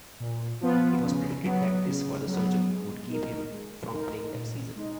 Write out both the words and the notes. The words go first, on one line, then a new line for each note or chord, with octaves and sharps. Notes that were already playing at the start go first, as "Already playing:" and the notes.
It was predicted that this further surgery would keep him from playing that season.
A#2
F3 B3 F4 B4
C#3
F#3 B3
C#3
F#3 B3
G#3
D#4 A#4
G#3
D#4 A#4
A#2
G#3 D#4